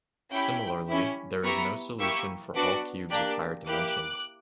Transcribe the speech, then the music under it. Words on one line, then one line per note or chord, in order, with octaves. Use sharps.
Similarly, there is no solution for all cubes of higher dimensions.
C#4 E4 G4 G5 B5
C#4 E4 G4
B3 E4 G4 A#5 C#6
A#3 E4 G4 C#6 E6
B3 D4 F#4 D6 F#6
A#3 D4 G4 D6 F#6
A#3 E4 G4 D6 F#6